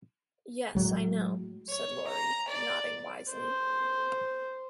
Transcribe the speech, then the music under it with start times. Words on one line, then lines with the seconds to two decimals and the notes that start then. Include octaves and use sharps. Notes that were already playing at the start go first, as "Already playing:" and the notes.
"Yes, I know," said Laurie, nodding wisely.
0.75 A2 F#3 G#3
1.69 C#5
2.07 A#5
2.48 D5
3.32 C5